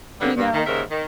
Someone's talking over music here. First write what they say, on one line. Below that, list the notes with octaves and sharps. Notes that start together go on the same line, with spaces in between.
you know,
D3 F#3 G3 A#3 B3
G2
D#3
D#2 G#2 C#3 A#4 E5
D#3